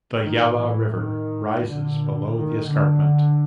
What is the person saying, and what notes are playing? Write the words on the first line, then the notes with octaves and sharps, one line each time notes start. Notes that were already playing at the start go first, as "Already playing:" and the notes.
The Yala River rises below the escarpment.
A2 D#3
E3
D#3
A#2 D3
D#3
D3